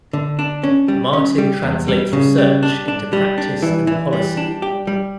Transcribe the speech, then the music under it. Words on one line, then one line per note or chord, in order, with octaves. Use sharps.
Martin translates research into practice and policy.
D3
D4
C#4
G3
C#4
G3
E2
G3
C#3
G3
D4
D4
G3
D4
E3
E3
G3
D4
G4
G3